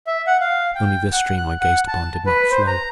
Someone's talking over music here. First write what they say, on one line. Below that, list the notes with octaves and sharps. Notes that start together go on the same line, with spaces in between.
Only this stream I gazed upon did not flow.
E5
F#5
F5
G5
F#5
F#6
F#5
A5
B4
C5
A#5